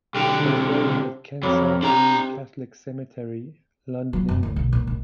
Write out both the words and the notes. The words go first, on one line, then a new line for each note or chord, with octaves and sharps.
She is buried at Kensal Green Catholic Cemetery, London, England.
B1 D3 G4
C3
F2 F#3
C3 D4 A#5
F#3
F#2
D2
B1
A#2
A#1